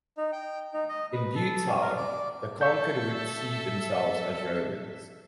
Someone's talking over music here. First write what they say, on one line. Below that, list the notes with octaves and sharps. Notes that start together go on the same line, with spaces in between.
In due time, the conquered would see themselves as Romans.
D#4
G5
D#4
D#5
B4
A4
A#4
D5
A4 E5 C#6 G6